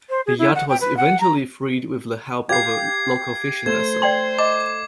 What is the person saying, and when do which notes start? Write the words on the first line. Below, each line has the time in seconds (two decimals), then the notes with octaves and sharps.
The yacht was eventually freed with the help of a local fishing vessel.
0.09 C5
0.26 G#4
0.38 E4
0.54 F#5
0.69 G5
0.81 B4
0.97 F#5
1.20 A#5
2.49 G4 F5 G#6 C7
3.66 A3 C5 G#6
4.02 D5 G5 C6
4.39 D#5 D6